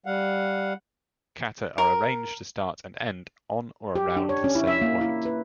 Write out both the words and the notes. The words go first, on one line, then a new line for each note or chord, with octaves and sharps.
Kata are arranged to start and end on or around the same point.
G3 F5 F#5
A#4
G4
D4
C#5
C#4
E4
E5
A#3
E4
B4